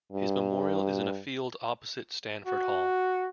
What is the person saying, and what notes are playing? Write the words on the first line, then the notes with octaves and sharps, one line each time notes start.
His memorial is in a field opposite Stanford Hall.
G2
F#4